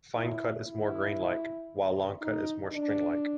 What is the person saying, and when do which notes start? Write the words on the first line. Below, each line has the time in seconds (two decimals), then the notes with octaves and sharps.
Fine cut is more grain-like, while long cut is more string-like.
0.16 E4
0.67 E4
2.21 D#4
2.72 D4